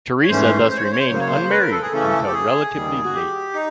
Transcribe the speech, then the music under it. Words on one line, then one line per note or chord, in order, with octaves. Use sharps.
Theresa thus remained unmarried until relatively late.
C#5
G#2 E3 A3 C#4 C5
C5
C#5
C5
C#5
C5
C#5
C#3 F#3 A#3 C5
C#5
C5
B4
A#4
A4
G#4
C#3 E3 A3 C#4 A4
G4
G#4
D#2 D#3 G3
F#4
G4
D#4